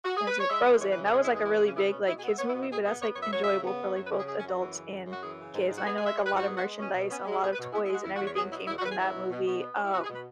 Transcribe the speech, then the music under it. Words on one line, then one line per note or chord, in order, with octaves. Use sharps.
what is it? Frozen. That was like a really big, like, kids movie but that's like enjoyable for like both adults and kids. And I know like a lot of merchandise and a lot of toys and everything came from that movie. Um
F#4
G#4
B4
C#5
G#3 E5
E2
E3 C#5
B4
C#3
G#4
G#3 G#4
E4
E2 G#4
E3 E4
C#4
C#3
C#4
B3 E4
B2 C#4
B2 E4
G#4
B3
E5
B3 C#5
E4
B2
E4
B2 G#4
B3 G#4
B3 C#5
C#5
F#2
E5
F#3 C#5
E5
C#3
B3
F#2
F#3 C#5
B4
C#3
G#4
F#2 G#4
C#4
F#2
F#4
E3
C#3
F#2
F#2
F#4
E3 G#4
C#3
G#2
G#2
F#4
B3 G#4
G#4
G#3 E5
G#2 C#5
B4
G#2
F#4
B3 G#4
F#4
G#3
B2 C#4
B2
B3 C#4
C#4
G#3 E4
B2 G#4
B4
B2 C#5
B3 E4
E4
G#3 F#4
E2 E4
F#4
E2 C#5
F#3 G#4
B2 E4
E2 E4
F#4
E2 B4
G#4
F#3 E4
B2
B2
B2
B3
G#3 C#4
E4
B2 F#4
B4
G#4
B2
B4